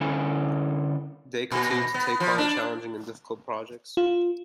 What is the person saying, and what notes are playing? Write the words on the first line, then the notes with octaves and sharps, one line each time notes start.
Day continued to take on challenging and difficult projects.
D3 C#4 E4 A4 G#5
A#2
B3
F3
D4
F4